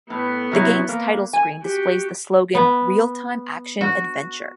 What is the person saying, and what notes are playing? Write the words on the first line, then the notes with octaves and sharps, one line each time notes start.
The game's title screen displays the slogan Realtime Action Adventure.
A2 B3 B4
C3 F#3 E4
A#3
G#5
F#4 G4
B3
F#4